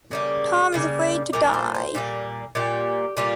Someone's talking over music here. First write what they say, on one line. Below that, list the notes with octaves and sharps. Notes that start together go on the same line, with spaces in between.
Tom is afraid to die.
C#3 G3 A#3 G#4
C#3 G3 A#3
A#2 G3 A#3 A#4
C5
C5
A#2 G3 A#3
A#2 G3 A#3 G4
A#2 G3 A#3 F4